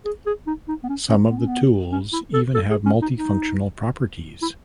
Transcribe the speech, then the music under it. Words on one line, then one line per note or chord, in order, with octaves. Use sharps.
Some of the tools even have multifunctional properties.
G#4
G#4
D#4
D#4
B3
C#4
C#4
B3
C#4
B3
C#4
E4
A4
A4
G#4
C#4
D#4
D#4
E4